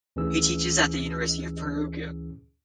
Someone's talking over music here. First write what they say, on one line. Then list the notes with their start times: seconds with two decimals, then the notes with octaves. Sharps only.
He teaches at the University of Perugia.
0.16 D2 E3 C#4 G#4 E6